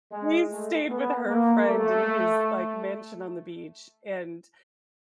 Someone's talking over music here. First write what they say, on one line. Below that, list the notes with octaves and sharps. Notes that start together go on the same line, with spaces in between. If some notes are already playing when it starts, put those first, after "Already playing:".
we stayed with her friend in his, like, mansion on the beach, and
G#3
A3
B3
A#3
A3